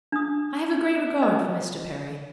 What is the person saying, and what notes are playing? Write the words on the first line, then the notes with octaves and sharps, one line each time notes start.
I have a great regard for Mr. Perry.
D4 D#6
D#5